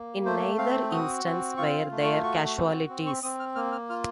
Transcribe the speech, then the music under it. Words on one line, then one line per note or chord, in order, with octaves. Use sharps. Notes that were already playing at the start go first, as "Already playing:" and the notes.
In neither instance were there casualties.
Already playing: A#3
A3 C5
C4 F5
F#4 D#6
C4
F4 C#6
F5
A3
C#6
F#4 C#6
C4
C4
C#6
C4 D#6
F6
A#3 F6
F6
F4 F6